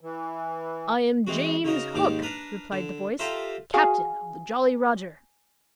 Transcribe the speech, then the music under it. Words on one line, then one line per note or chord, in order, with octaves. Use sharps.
"I am James Hook," replied the voice, "captain of the JOLLY ROGER."
E3
E3 G#3 C4 F#4
C#3 D#4 F#4 A#4
D#2 G#2 D#3 D6
D4 A#4 B4
D3
F4 G4 A4 A#4 C5 E5
F#4 G#4 F5 G#5